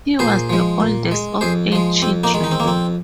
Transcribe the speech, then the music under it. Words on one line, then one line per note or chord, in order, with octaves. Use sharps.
He was the oldest of eight children.
A#2 G#4 C5
F3 G#3
A#2
G#3
F2 G#4 C5
F3 G#3
F2 C4
A#3 D#4
D#3 G#3
D#4
C4
A#3
F2 C4